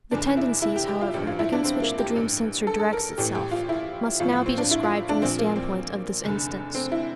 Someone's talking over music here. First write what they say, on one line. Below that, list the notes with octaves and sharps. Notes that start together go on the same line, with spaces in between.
The tendencies, however, against which the dream censor directs itself, must now be described from the standpoint of this instance.
F1 E2 E3 D4
E4
E4
G4
G4
F4
A1 G2 F3 G4
F4
E4
D4
C4
A#3
G4
A1 G2 E3
A4
A4
A#4
A1 A2 E3 G4
G4
F4
E4
A1 A2 F3 F4
F4
C4
D4
E4
F4
D4
A#1 A#2 F3 C4
A#3
C4
F1 E2 D3
C4
E4